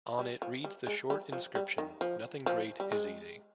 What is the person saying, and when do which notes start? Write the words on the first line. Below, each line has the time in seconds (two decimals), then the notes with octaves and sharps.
On it reads the short inscription: Nothing great is easy.
0.19 G3
0.42 F3
0.64 G3
0.87 G#3
1.10 G3
1.32 F3
1.55 G3
1.78 D#3
2.01 F3
2.46 F3
2.80 G3
2.92 G#3